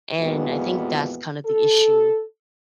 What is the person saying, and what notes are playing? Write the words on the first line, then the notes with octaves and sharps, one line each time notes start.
And I think that's kind of the issue
F2 A#2 E3 G#3 B3 F#4
A4